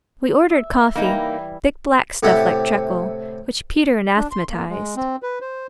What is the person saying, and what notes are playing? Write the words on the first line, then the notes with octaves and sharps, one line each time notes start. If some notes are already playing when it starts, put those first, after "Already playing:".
We ordered coffee, thick black stuff like treacle, which Peter anathematized.
E5
E3 G3 A#3 D#4
A2 C3 E4 G4 F#5
D4
C6
A#3
G#3
C4
B4
C5